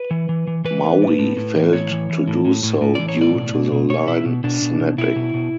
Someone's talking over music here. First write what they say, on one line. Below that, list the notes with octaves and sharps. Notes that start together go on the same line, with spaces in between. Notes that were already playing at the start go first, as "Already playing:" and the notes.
Maui failed to do so due to the line snapping.
Already playing: B4
E3
E3
E3
E3 B4
E3
A2
A2
A2
E3
A2 C#5
E3
E3
A2
A2
A2
A2
E3 D5
C#5
A2 D5
B2
B2
B2
B2 C#5
B2 E4
B2
B2 D4
B2
B2
B2 E4
B2
B2